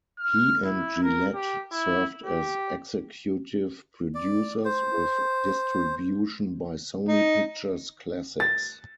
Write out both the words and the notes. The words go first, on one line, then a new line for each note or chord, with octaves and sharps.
He and Jillette served as executive producers, with distribution by Sony Pictures Classics.
F6
E4
A#4
G4
E4
G4
D5
C5
D#4
A6